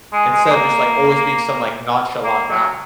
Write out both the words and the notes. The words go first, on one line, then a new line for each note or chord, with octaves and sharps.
instead of just, like, always being some, like, nonchalant guy.
G#3
G#3
G#3
A#3
A#3
F#3